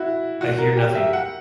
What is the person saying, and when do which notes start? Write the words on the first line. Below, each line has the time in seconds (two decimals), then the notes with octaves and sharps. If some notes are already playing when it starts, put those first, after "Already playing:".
I hear nothing!
Already playing: E4 F#4
0.41 F#4
0.58 A#4
0.77 G4
0.95 E5
1.13 F#5